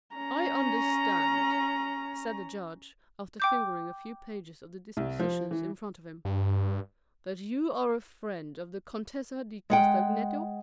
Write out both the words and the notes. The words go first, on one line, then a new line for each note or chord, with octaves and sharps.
I understand," said the Judge, after fingering a few pages of the dispositions in front of him, "that you are a friend of the Contessa di Castagneto?
C#4 A#5
G5 D6 G6
C2
F3
E3
G2
G#3 F#5 G5